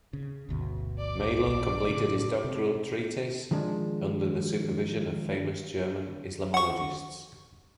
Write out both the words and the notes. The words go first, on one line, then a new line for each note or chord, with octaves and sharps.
Madelung completed his doctoral treatise under the supervision of famous German Islamologists.
C#3
G1 D2 B2
D5 D6
A#1
A2 C#3
C3
D#3 F3 G#3 D4
F#5 C#6